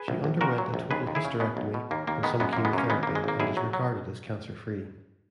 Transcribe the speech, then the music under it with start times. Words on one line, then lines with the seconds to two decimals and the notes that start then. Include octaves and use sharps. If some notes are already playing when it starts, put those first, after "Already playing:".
She underwent a total hysterectomy and some chemotherapy, and is regarded as cancer-free.
Already playing: G#4 B4
0.08 A#1
0.24 A#1
0.41 A#2 F#4 A#4
0.58 F#3
0.74 A#1
0.91 D#2 G#4 B4
1.07 D#2
1.15 E4 G#4
1.25 C#3
1.40 B2 G#3 B3
1.57 B1
1.74 B2
1.91 D#2 A#3
2.07 D#2 A#3
2.23 D#3 G#3 B3
2.40 F#2 G#3 B3
2.53 F#2 A#3
2.65 G#3 B3
2.73 F#2 A#3 C#4
2.90 G#1 G#3 B3
3.03 G#1 A#3
3.15 G#3
3.24 G#1 A#3
3.40 B1 E4 G#4
3.57 F#3
3.73 F#3